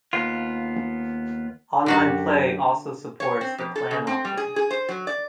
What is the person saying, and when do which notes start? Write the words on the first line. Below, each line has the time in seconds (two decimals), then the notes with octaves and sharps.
Online play also supports the clan option.
0.13 D#2 B3 F4
1.86 F#2 D3 F#4 G4 A5
3.20 C#5
3.41 C4
3.58 F2
3.76 A4
3.91 C#3
4.07 C4
4.25 G3
4.37 G#4
4.56 G#4
4.71 C5
4.89 F#3
5.07 D5